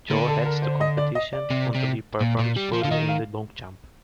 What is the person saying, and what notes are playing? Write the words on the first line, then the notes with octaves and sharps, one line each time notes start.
Joe heads the competition until he performs poorly in the long jump.
D3 A#3
A4
A#4
C5
D#5
D5
D#5
D5
C3
C3
A#2
A#2
G3
F3
D3 F5
D#3 D#5
F5